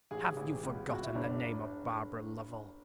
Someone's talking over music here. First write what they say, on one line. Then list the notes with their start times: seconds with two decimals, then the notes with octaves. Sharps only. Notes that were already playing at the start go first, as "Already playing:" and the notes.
"Have you forgotten the name of Barbara Lovel?"
0.11 A1 G#4
0.37 A1
0.63 C#2
0.89 C#2 F#4
1.04 E4
1.15 F#1 D4